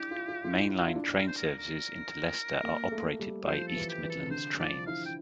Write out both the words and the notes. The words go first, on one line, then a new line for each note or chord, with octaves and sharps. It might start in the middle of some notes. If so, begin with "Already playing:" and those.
Main line train services into Leicester are operated by East Midlands Trains.
Already playing: D4 E4 G4
F4
F4
F4
E4
F4
E4
D4
A#4
C5
A#4
A#4
A#3
A#3
A3
G3
F3 C5
A4
E3
G4
E3
A4
C3
D3 C5
F3 D5
E4 F5
G5